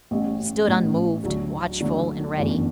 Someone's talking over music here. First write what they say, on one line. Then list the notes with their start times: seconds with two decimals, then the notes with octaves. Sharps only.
He stood unmoved, watchful and ready.
0.11 A1 A2 G3 C#4
0.67 A1 A2 G3 C#4
1.23 D2 D3 F#3
1.80 D2 D3 F#3
2.37 G1 F#2 E3 A3 D4